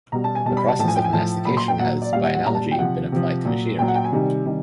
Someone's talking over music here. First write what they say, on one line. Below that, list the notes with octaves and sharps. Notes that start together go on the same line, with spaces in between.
The process of mastication has, by analogy, been applied to machinery.
B2 G3 A#5
A5
G#5
B2 G3 A5
B5
A5
A2 A5
F3 G#5
G5
G#5
A2 F3 A5
A#2 F#3 B5
C6
G5
A#2 F#3 F#5
D5
A#2 G3 F5
F#5
F#5
A#2 G3 A#5
A5
G5
C3 F3 F#5
C3 F3
A#2 F#3
A#2 F#3 G5
F#5
G5
G#5
C3 D#3 G3
C3 D#3 G3